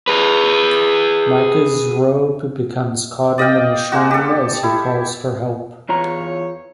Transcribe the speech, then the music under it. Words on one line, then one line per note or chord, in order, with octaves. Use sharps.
Micah's robe becomes caught in the machine, as he calls for help.
G#4 B4
D5 D#5 F5 G5
G#3 A#3 F#4
G4 A4
E4
E2 E3 F4 C#5 A#5